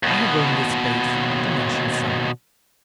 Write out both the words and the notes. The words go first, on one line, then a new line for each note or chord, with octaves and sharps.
I have only space to mention some.
D#2 B2